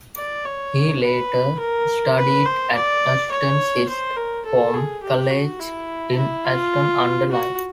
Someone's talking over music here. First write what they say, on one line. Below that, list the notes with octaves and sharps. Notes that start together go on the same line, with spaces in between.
He later studied at Ashton Sixth Form College in Ashton-under-Lyne.
D5
C#5
B4
A#4
B4
C5
D5
C#5
C5
A#4
A4
G#4
G4
F#4
E4
E4
F4
F#4